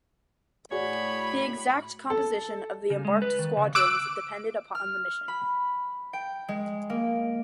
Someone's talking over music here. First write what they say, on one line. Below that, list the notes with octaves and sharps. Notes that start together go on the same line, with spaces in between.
The exact composition of the embarked squadrons depended upon the mission.
A2 F#4 G#4 C#5 D5 B5
A4
C#3
G#3
B4
D#3
C#3
D6 E6 F#6 D7
F6
B5
G5
G#3
A#3